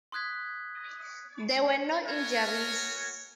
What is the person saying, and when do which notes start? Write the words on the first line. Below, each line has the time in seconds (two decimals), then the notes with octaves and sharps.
There were no injuries.
0.12 C6 D#6 F#6 G#6 B6
2.05 B3 F#4 A#4 C#5 G#5